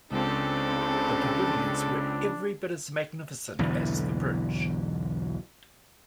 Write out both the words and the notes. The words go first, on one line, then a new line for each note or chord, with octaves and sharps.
The pavilions were every bit as magnificent as the bridge.
C#2 C#3 C4 D4 A4
B1 E2 D3 E3